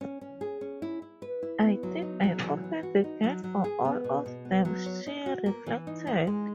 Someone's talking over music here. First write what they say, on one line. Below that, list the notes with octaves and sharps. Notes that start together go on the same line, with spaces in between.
"I think I opened the gate for all of them," she reflected.
C#4
C#4
G#4
C#4
E4
E4
B4
E4
B3
F#3
D#4
F#3
E3
E3
F#4
D#4
F#3
F#3
G#4
B3
B2
B2
B3
F#3
C#5
D#4
F#4
A#3
E3
D#4
D#4
G#3